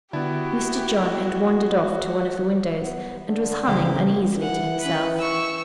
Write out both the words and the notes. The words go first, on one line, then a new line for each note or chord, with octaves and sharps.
Mr. John had wandered off to one of the windows and was humming uneasily to himself.
D3 B3 E4 F#4 G4
B3
D3
C#3 E3 A#3 C4 G4
E3 F#5
C#4 B4
C#6 E6